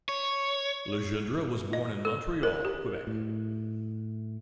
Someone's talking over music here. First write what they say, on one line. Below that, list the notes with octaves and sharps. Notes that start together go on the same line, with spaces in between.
Legendre was born in Montreal, Quebec.
C#5
D#5
A4
A#4
G4
A2